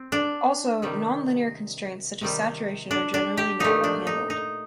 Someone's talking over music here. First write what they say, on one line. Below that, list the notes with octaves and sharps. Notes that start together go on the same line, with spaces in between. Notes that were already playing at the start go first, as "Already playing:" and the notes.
Also, non-linear constraints such as saturation are generally not well-handled.
Already playing: C4
D4
C3 D#3 G3
C3 D#3 G3
D4
D4
G4
A#2 F3 A3 D#4
D4
D#4
D#4